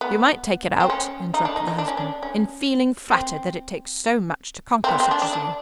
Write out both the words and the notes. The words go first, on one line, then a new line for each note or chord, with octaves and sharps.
"You might take it out," interrupted the husband, "in feeling flattered that it takes so much to conquer such as you."
B3
C4
C#4
D#4
D4
D#4
D#4
D4
C#4
D4
C#4
C4
C4
B3
C4
D4
D4
D4